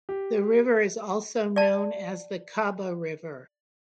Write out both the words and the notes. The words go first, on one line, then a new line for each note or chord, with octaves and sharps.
The river is also known as the Kaba River.
G4
D5 A5